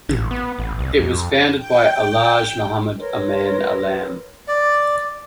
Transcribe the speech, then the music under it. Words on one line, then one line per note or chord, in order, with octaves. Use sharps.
It was founded by Alhaj Mohammad Aman Alam.
A1
B3
A1
C2
F2
G5
A#4 B4 C#5 C6
D5